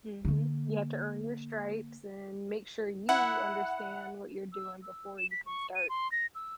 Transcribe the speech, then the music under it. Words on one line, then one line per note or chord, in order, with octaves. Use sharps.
Mhm. You have to earn your stripes and make sure you understand what you're doing before you can start.
D3 A#3
E4 F#5
E6
E6
E7
B6
C#6
D#7
C6
A#6
E6